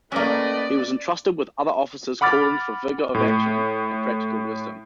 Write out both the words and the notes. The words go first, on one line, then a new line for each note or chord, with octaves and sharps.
He was entrusted with other offices calling for vigour of action and practical wisdom.
A2 A#3 C#4 B4 D5 D#5
F#5 B5 D6 F6 A6
A2